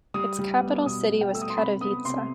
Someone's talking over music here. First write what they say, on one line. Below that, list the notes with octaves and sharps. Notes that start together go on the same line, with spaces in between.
Its capital city was Katowice.
G3 D#6
G3
B3
B2 D#6
B2
G5
A3 E6
D#6
C6
C3 B5
B3 D#6
C3 C6